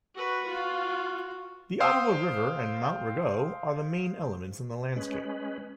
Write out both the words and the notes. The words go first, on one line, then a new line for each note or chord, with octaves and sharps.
The Ottawa River and Mount Rigaud are the main elements in the landscape.
F#4 B4
F4 F#4
C5 F5 G5 D#6 E6
G#3 C#4 B4